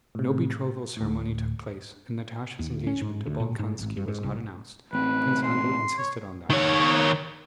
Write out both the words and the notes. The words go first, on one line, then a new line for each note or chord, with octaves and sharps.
No betrothal ceremony took place and Natasha's engagement to Bolkonski was not announced; Prince Andrew insisted on that.
A2 C3
D2 A2
D#2
D2
C#4
G#2
D2
A#2
G#2
G#1
G2
G#2
C2
A1 C4 B4
C6
C#5
D#3 C#5